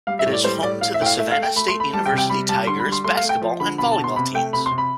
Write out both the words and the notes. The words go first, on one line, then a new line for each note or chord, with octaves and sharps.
It is home to the Savannah State University Tigers basketball and volleyball teams.
G3 F5
E5
A2
D5
G3 C5
A2 D5
A2 F5
E5
A2 G5
F5
A3 E5
F5
A3
G5
A3 B5
C6
A3
B5
G3 A5
G5
C3
G5
G3 B5
G3 A5
D3 C6
B5
G3
C6
A3 C6
F5
A3
G5
F3
D3 B5
B2 B5
A5
B2
C6
C3 B5
A3 G5
C3 B5
C6
C3
B5